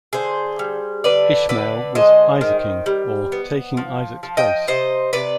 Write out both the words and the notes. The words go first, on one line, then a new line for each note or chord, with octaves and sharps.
Ishmael was 'Isaacing', or 'taking Isaac's place'.
D3 G#4 C5
G3
D3 B4 D5
D3 B4 D5
G#3 C5 D#5
D#3
G3
B3
F3
F3
D#5 G5
C3 C5 D#5
C3 B4 D5